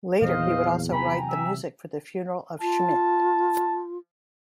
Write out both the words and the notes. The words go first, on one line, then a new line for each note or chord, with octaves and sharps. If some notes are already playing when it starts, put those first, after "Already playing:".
Later, he would also write the music for the funeral of Schmidt.
E2 A#2 E3 F#3 C5 D#5 F5 F6
C3 E3 F#3 G5 G#5 A#5 B5
E5
F4 A5